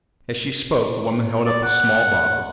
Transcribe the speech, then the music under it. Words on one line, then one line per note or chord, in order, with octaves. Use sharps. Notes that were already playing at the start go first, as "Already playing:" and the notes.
As she spoke the woman held up a small bottle.
D5
F#5